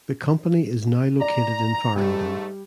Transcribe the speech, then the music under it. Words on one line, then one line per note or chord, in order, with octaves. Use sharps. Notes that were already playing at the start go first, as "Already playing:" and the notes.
The company is now located in Farringdon.
D5 A#5
G#2 G3 A3